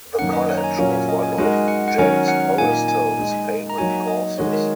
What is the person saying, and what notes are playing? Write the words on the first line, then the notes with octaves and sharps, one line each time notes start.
The college was one of James Forrestal's favorite causes.
F#2 D#3 A#3 C#4 F#5
D#5
C#5
A#5
G#5
A#2 F#3 C#4 A#4 C#5 G#5
D#5
G#5
G#3 D#4 F#4 A#4 G#5
F#5
F#5
D#3 F#3 C#4 A#4 C#5 G#5
F#5
A#2 A#3 D#4 G#5
G#5
G#3 D#4 G#4 D#5
A#5
F#3 A#3 D#4 F#4 C#5 G#5
D#5
D#3 G#3 F#4 C#5 D#5
A#4